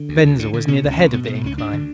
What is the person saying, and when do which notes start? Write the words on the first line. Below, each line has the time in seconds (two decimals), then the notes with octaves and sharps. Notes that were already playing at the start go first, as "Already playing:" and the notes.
Venza was near the head of the incline.
Already playing: D3
0.09 D2
0.24 D2
0.39 D3
0.53 D3
0.68 B2 C#4
0.84 C#2
0.91 C#4
0.99 C#2
1.13 B2 B3
1.25 A3
1.28 B2
1.35 A3
1.43 C#2 C#4
1.57 D2 D4
1.73 D3